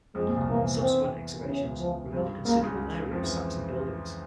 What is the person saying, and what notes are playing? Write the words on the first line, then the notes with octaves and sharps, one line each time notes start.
Subsequent excavations revealed a considerable area of Saxon buildings.
F2 F3 G#3
A#1 A#2
C2 C3
E2 E3 A#3
C4
C#3
E2 E3 C#4
C#2 C#3
F3
G2 F3
C#2 C#3 A#3
C#2 C#3
F2 F3
E3